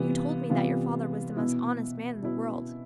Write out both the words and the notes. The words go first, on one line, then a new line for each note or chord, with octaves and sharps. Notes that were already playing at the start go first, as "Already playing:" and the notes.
You told me that your father was the most honest man in the world.
Already playing: C3 E3 G3 B3 F4
C3 E3 G3 B3 F4
B2 B3 E4
B2 B3 E4